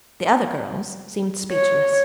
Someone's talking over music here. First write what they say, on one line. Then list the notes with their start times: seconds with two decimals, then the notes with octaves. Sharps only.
The other girls seemed speechless.
1.53 C#5